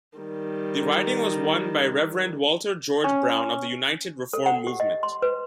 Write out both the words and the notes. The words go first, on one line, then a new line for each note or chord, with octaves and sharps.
The riding was won by Reverend Walter George Brown of the United Reform Movement.
D#3 G3
C#4
A4
F#5
G4
D#5
C6
B4